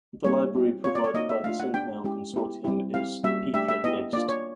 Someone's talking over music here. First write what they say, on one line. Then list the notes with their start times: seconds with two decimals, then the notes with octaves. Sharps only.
The library provided by The Sendmail Consortium is pthread-based.
0.24 G3 A#3 D#4 C#5
0.55 C4 E4 G4
0.84 C4 F4 C#5
0.95 D5
1.04 C#5
1.14 A#3 D#4 F#4 D#5
1.29 E5
1.44 A3 D4 F4 F5
1.60 F#5
1.74 B3 D4 G4 G5
2.04 G#3 C#4 E4 G4
2.34 B3 E4 G4
2.64 G3 C4 E4 G4
2.94 C4 E4 G4 F5
3.23 G3 A#3 C#4 F#4 E5
3.53 A3 D4 G4 E5
3.68 E5
3.84 B3 E4 G4 D#5
4.13 A#3 D4 F4 D5
4.29 C#5